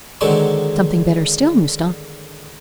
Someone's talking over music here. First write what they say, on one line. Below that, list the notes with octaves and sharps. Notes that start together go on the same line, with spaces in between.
"Something better still, Mouston."
D3 D#3 F#3 G#3 C4